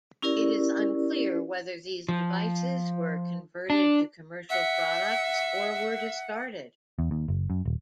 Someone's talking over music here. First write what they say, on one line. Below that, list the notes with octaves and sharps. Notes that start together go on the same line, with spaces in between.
It is unclear whether these devices were converted to commercial products or were discarded.
C#4 E4 G4 A#4 D5
F3
D4
E5 F#5
E2
D#2
F#1
F#2
D#1